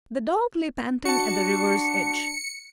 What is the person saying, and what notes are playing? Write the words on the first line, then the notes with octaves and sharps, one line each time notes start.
The dog lay panting at the river's edge.
D4 F#4 A5 C#7